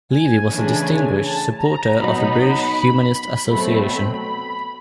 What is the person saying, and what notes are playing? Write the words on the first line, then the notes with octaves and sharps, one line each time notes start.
Levey was a Distinguished Supporter of the British Humanist Association.
G#5
C#3 E3 A3 D4
A5
A#5
B2 F#3 B3 D#4 B5
B2 F#3 A3 C4 B5
B5
B5